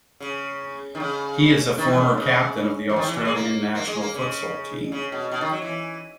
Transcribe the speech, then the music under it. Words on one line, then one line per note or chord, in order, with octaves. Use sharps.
He is a former captain of the Australian national futsal team.
C#3
D#3
C#3
D#3
E3
C#3
B2
C#3
E3
D#3
E3
F#3
G#3
A#3
A#3
G#3
A#3
C#3
C#3
B2
B2
D#3
F#3
E3